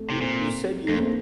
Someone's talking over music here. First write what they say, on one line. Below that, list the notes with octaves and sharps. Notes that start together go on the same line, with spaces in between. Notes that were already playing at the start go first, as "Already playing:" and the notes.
You you said you
Already playing: A3 C4
C3
A#2 C4
F2 A3
A#3
C4